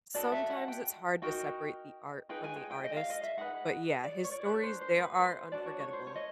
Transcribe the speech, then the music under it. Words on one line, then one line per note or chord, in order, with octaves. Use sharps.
Sometimes it's hard to separate the art from the artist, but yeah, his stories, they are unforgettable.
D#4 F#4 A4 D5
E5
F#5
G5
D#4 F#4 A#4 G5
D#4 G#4 B4 G5
G#5
G5
G5
D#5
F5
D#5
E5
D#4 G#4 B4 F#5
D5
C#5
D5
D4 G4 B4 C#5
C5
C5
B4
B4
C5
D4 F#4 A4 D5
C#5
C#5
C5
C#5
D#5